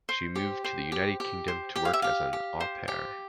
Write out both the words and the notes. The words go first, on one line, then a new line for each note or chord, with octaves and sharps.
She moved to the United Kingdom to work as an "au pair".
C5
G4
C5
G4
G4
C5
G4 G5
F5
E5
G4 F5
G4
C5
G4